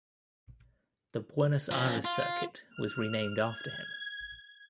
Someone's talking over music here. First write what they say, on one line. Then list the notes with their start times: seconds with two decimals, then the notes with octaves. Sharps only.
The Buenos Aires circuit was renamed after him.
1.71 F3 C#4
2.05 F4
2.70 F6
3.40 G#6